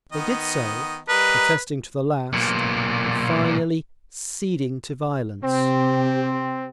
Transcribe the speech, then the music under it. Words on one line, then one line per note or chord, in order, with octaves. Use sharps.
They did so, protesting to the last, but finally "ceding to violence."
D#3 B3 D#5
G3 A#4 B4 D#5
B1 A#2
C3 C4 G4